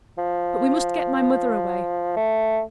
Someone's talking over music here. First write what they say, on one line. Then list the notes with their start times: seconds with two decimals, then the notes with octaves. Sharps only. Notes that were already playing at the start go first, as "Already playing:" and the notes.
But we must get my mother away.
0.18 F3
2.17 A3